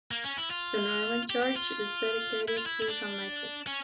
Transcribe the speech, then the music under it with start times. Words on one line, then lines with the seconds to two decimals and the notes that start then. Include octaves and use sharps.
The Norman church is dedicated to Saint Michael.
0.11 A#3
0.24 C#4
0.38 E4
0.50 F4
1.30 G4
1.43 G4
1.56 F4
2.48 E4
2.57 F4
2.66 E4
2.82 E4
2.88 D4
3.67 C#4